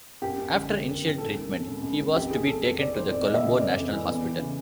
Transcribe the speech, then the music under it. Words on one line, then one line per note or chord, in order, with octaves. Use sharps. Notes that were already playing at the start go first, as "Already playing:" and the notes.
After initial treatment, he was to be taken to the Colombo National Hospital.
F#2 G4
F#2
D3
D3
F#2
F#2
C#2 A4
D#3
C3
C#2
C#2
D#3
F2 G4
D#3 G#4
C3 A4
F2 A4
F2 D5
D#3 C5
F2 D5
E3 D#5
E5
C#3 D#5
F2 D5
F2
E3
E2
E3
C#3